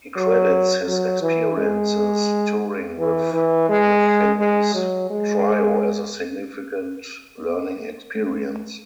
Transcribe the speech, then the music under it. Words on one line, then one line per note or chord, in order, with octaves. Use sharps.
He credits his experiences touring with Metheny's trio as a significant learning experience.
F#3
F#3
E3
G#3
E3
E3
G#3
G#3
F#3
G#3